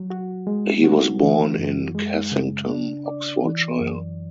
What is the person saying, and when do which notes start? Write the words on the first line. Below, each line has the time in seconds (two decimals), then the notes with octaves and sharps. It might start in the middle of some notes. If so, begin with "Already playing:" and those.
He was born in Cassington, Oxfordshire.
Already playing: F#3
0.10 F#4
0.47 G#3
0.84 F#4
1.21 E3
1.58 F#2
1.95 G#3
2.32 C#3
2.69 D4
3.06 D5
3.43 E3
3.80 F#2